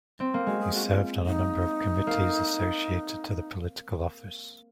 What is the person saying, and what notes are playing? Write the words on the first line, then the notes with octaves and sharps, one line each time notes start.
He served on a number of committees associated to the political office.
C4
A#3
G#3 F#4
G#4
F#4
F4
D#4
A#3